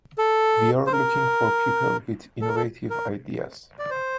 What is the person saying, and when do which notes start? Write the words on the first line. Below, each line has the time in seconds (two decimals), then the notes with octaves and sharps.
We are looking for people with innovative ideas.
0.18 A4
0.87 C5
0.93 A#4
2.42 A4
2.48 A#4
2.56 A4
2.90 A#4
3.79 D5
3.90 C5